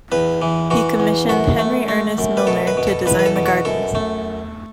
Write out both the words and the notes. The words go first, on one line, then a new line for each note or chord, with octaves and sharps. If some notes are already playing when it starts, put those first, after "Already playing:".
He commissioned Henry Ernest Milner to design the gardens.
E2 B4
E3
E3 F#4
E2
F#2 F#4
A3
A3
F#2
B4
B2 A4
B4
B2
A4
E2 B4
B4
A4
B2
F#4
F#2 A4
A3